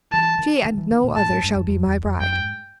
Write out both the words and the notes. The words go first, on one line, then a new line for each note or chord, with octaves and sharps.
She, and no other, shall be my bride.'
E3 A5
D#3
D#3
E3
D#3
A#2
A2 A5
G#2
G2
F#2
F2
E2
F2
F#2 G5
G#2